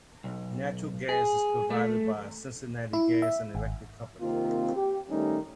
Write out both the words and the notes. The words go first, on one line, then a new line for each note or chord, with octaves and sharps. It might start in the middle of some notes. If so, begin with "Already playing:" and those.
Natural gas is provided by the Cincinnati Gas and Electric Company.
B1
G#4
A3
E4
E5
G#1
C3 D#3 A#3 C4 F4
G4
D#3 G3 A3 C#4 D#4